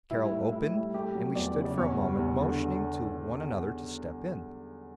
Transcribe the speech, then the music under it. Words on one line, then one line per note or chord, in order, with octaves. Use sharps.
Carroll opened, and we stood for a moment motioning to one another to step in.
G3 E4
A2
A2 E4
G3
A3 G4
F#3
E2 D5
C#3
D5
E2 C#5
G3
E2
D3